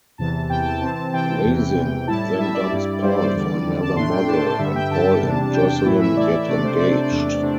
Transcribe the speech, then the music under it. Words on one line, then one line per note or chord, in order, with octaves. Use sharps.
Resin then dumps Paul for another model, and Paul and Jocelyn get engaged.
E2 C3 E3 A5
E2 C3 E3 G5
A5
C3 E3 C4 A5
C3 E3 C4 G5
E2 C3 E3
E2 C3 E3
A2 G3 E4 A5
A5
A2 G3 E4 E5
E5
D5
G2 G3 E4
G2 G3 E4 C5
D5
E2 D3 G3
E2 D3 G3
A5
A2 A3 D4 C6
G5
A2 A3 D4 A5
A5
G2 D3 G3 E5
G5
G2 D3 G3 A5
E2 C3 G3 D4
E2 C3 G3 D4 G5
G5
A2 E3 A3 E4
E5
A2 E3 A3 E4 D5
C3 A3 D4 D5
C5
C3 A3 D4 D5
E2 C3 A3 D4
C3 A3 D4